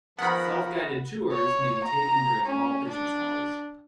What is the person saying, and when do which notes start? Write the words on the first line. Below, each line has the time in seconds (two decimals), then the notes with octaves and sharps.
Self-guided tours may be taken during normal business hours.
0.19 D#3 F3 G#3 B3 A#4 F#5 B5
1.31 C#5
1.84 A#5
2.45 C#4
2.88 D4